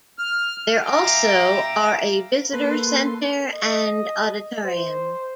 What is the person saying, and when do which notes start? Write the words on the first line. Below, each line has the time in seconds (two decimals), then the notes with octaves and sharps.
There also are a visitor center and auditorium.
0.19 F6
0.87 E5 F5 G5 A#5 D6 E6
2.53 A#3 A4 B4 C6
3.54 D#5
4.64 C5